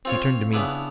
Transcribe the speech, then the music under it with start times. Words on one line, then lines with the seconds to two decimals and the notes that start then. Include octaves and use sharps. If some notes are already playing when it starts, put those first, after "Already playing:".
He turned to me.
0.05 C4 F4 C#5
0.53 C#3 B3 D4 E4